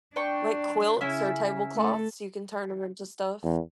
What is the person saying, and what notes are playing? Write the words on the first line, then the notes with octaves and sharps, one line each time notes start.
Like quilts or tablecloths, you can turn 'em into stuff.
D4 D5 G5 C#6
C#3 C#4 E4 E5
A3 A4
E2